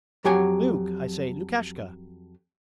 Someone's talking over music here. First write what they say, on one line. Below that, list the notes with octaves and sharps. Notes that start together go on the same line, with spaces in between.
'Luke, I say, Lukashka!
F2 F#3 G4 F#5 G#5